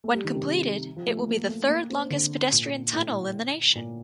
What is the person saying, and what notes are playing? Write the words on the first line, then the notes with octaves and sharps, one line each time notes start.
When completed, it will be the third-longest pedestrian tunnel in the nation.
A3
G3
D#3
C3
F3
A3
A#3
A#3
A3
A#3
C4
D3
A#2
A2
A#2